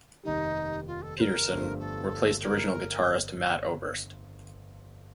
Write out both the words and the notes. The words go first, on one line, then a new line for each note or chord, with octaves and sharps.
Pedersen replaced original guitarist Matt Oberst.
F1 D#2 D#3 G3 D#4
F4
A4
C5
A#4
G1 G2 F3 A3 D4
A4
A#4